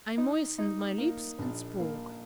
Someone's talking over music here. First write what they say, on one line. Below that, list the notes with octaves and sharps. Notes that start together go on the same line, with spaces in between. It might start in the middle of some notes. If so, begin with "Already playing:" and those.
I moistened my lips and spoke.
D#4
D#4
A#3
A#1
A#3